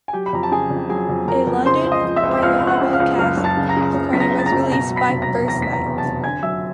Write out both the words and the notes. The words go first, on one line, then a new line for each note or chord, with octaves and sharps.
A London revival cast recording was released by First Night.
G#5
F#3 G4 G5
B5
F2 A#5
A5
C#3 G#4 G#5
F2
F#3 G#4 G#5
F2
F2 A#4 A#5
F2
C#3 C5 C6
C#2
D#5 D#6
F3
E5 E6
C#2
E6
C#2 F5 F6
C#2
F#5 F#6
C#3
F5 F6
C#2
F#1 F5 F6
F#1
A5 A6
C#3
A#5 A#6
C#3
F#1
F#1 B6
A#5 A#6
C#3
A6
A#5 A#6
F#1
B2 A#5 A#6
F#3
B5 B6
F1
A#5 A#6
F#3
E2 A#5 A#6
E2 B6
A#5 A#6
E2
A5 A6
F1
D3 G#5 G#6
F#3 E5 E6